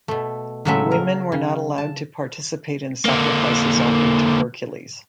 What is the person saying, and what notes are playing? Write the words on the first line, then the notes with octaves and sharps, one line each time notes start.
Women were not allowed to participate in sacrifices offered to Hercules.
B2 A3
A2 C#3 F#3 G#3 A3 E5
A#4
C#3
A5
D3 A#3